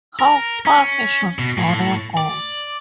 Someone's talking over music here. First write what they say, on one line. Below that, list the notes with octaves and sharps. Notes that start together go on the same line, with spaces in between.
How fast should Gloria go?
A#4
C#4
B2
A2
D5